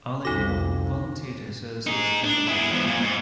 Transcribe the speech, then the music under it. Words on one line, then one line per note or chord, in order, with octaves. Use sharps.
Arlene Warm volunteered her services as a librarian.
C2 F2 D#4 F#4 A4 D6 A#6
D#4 G#4
D4
E4 G#4
E2 F3
A#2
G#2